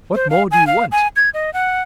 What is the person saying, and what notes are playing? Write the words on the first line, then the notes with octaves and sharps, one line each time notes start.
What more do you want?'
C5
F5
G#5
F5
G#5
G#6
D#5
F#5